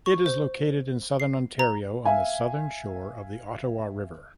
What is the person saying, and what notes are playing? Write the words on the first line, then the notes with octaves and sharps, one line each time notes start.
It is located in Southern Ontario on the southern shore of the Ottawa River.
C#6
C5
C7
A#5
E5 F5 G#5